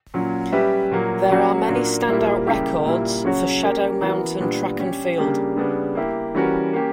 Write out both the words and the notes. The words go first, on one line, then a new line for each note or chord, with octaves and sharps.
There are many standout records for Shadow Mountain Track and Field.
A#2 F#3 C#4
G3 C#4 G4 B4 E5
A#2 F#3 A#3
F#3 A#3 C#4 F#4
A#2 A#3 D4 F#4
A#2 G3 A#3 E4
C#3 G3 A#3 E4 G4
A#2 G3 A#3 E4
C#3 F#3 C#4 F#4 C#5
A#3 C#4 G4 A#4
E3 B3 F#4 A#4
A#2 G3 B3 D4
G3 C#4 G4
C#3 G3 A#3 D4 G4
C#3 G3 B3 D4
A#3 E4 G4
E3 G3 C#4 F#4 A#4
A#3 C#4 G4